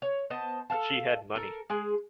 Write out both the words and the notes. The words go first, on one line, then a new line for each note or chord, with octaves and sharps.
She had money.
C#5
B3 C5 D#5 A5
A4 A#4 F5 A5
A4 A#4
G#3 G#4